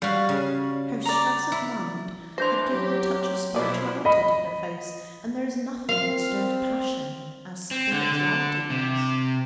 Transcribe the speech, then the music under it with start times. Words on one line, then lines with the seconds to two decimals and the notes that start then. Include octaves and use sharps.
Her stress of mind had given a touch of spirituality to her face, and there is nothing that stirs passion as spirituality does.
0.02 G3 F#4 F5
0.29 C#3
1.05 D5 A#5
1.52 E4
2.38 E3 D4 C5 C6 G6 A#6
2.67 F#3 G4
3.55 B2 F3 F#3 E4 B4 D5
4.05 D#5 B5
5.89 C4 A#4 F5
7.71 C4
7.92 D3
8.12 D3
8.70 C3